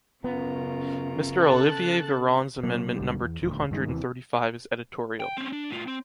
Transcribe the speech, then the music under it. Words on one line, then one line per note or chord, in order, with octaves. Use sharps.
Mr. Olivier Véran’s amendment number two hundred and thirty-five is editorial.
F#2 C#3 B3 F4 A#5
A4 F#6 A6
C3 F#3 A#3
C2 G#2 D3 G3
E2
D#1 D2
G2 D#3 G#3
E1 D#2 C3 E3
G5
C4 C#4
D4
A2 F4
C4